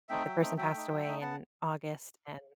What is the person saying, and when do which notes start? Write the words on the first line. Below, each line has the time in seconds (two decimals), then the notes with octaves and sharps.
if the person passed away in August and,
0.09 A3 C4 D#4 E5 G5
0.26 F#3
0.41 A3 C4 D#4
0.57 F#3 E5 G5
0.73 A3 D#4
0.90 F#3
1.05 A3 D#4
1.21 B3 F#5 A5